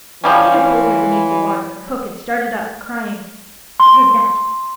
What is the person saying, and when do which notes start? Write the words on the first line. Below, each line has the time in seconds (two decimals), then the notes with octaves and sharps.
Peter pulled her beneath the water, for Hook had started up, crying, "What was that?"
0.24 E3 F3 G3 C#4
3.80 C6